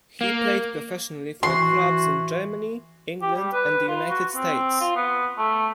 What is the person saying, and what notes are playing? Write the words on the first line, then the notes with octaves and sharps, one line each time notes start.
He played professionally for clubs in Germany, England and the United States.
A#3
E3 F#4 C6
G4
G3
B4
F4
F#4
C4
F4
B3
A3